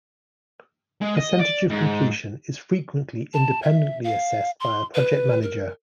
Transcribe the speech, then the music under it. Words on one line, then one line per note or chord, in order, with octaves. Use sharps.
Percentage-of-completion is frequently independently assessed by a project manager.
G#3
D#5
D5
G#2
A5
E5
F5
C6
B4
A#4